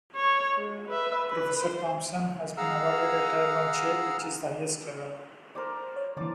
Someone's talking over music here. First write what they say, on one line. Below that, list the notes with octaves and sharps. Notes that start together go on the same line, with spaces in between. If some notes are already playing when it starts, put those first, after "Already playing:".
Professor Thompson has been awarded a Tier I chair, which is the highest level.
C#5
G#3
B4 E5
B4
C5
G#4 F5 F#5 A#5 E6 F6
A#4 C5 D5
C#5
D3 E3 A#3 D5 A5